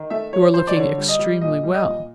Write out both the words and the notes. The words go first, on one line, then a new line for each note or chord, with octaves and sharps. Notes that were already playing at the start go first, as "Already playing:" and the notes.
You are looking extremely well.
Already playing: D#3
A3 E5
F3 C#5
F3 C5
D5
D3 C#5
G3
D#5
G3
A#2 D#5
G3
D#5
A#2